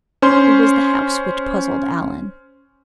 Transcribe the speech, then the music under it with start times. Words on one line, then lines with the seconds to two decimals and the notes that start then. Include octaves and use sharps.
It was the house which puzzled Alan.
0.22 C#4 C5 C6